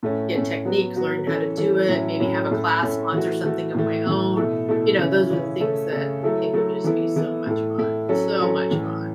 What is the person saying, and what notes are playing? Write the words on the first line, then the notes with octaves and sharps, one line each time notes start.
get techniques, learn how to do it, maybe have a class, sponsor something of my own. You know, those are the things that I think would just be so much fun, so much fun.
A2 A3 C#4
A2 A3 C#4
F#3 B3 F#4
F#3 B3 F#4
E3 C#4 A4
E3 C#4 A4
A2 F#3 C#4 E4
A2 F#3 C#4 E4
A2 A3 C#4 A4
A2 A3 C#4 A4
E3 A3 F#4
E3 A3 F#4
A2 E3 A3
A2 E3 A3
B2 A3 E4 A4
B2 A3 E4 A4
C#3 E3 C#4 E4
C#3 E3 C#4 E4
C#3 A3 C#4 A4
C#3 A3 C#4 A4
F#3 A3 E4 A4
F#3 A3 E4 A4
E3 B3 E4 A4
E3 B3 E4 A4
A2 A3 E4 A4
A2 A3 E4 A4
F#3 C#4 A4
F#3 C#4 A4
A2 E3 C#4 A4